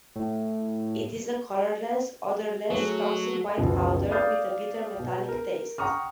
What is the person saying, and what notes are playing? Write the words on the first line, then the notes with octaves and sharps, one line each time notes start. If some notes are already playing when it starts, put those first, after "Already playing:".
It is a colorless, odorless, toxic white powder with a bitter metallic taste.
A2
F#3 A3 G#4
F#1 C#2 B2 F3
D5 F5 D#6 F6 G6 A6
B2
A#4
F#5 G5 A#5 C#6 D#6 F6